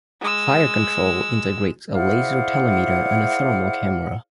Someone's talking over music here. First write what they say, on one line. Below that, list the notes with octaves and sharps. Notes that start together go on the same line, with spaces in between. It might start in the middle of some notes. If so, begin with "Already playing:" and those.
Fire control integrates a laser telemeter and a thermal camera.
G#3 E6
E4 G#4 C5 D5 F5 F#5